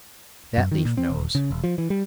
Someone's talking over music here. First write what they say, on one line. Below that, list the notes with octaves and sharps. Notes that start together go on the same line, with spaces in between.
That leaf knows.
F#2
D#3
A#2
C4
D#1
C#3
E1
F3
E3
G3